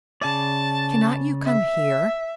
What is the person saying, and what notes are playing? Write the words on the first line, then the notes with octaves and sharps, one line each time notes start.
Cannot you come here?
C#3 D5 A5
E5